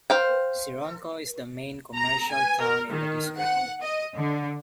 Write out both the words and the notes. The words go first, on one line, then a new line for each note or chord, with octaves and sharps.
Sironko is the main commercial town in the district.
C5 F5 G5
A#5
G#5
A#4
D#3
F#5
D#5
D3